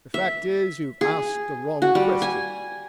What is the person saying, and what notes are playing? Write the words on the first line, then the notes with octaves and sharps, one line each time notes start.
The fact is you've asked the wrong question.
E5
G#4
F#4
G3
G#5